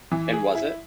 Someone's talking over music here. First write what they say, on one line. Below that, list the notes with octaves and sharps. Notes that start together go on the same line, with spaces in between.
and was it?
E3
G#4
E4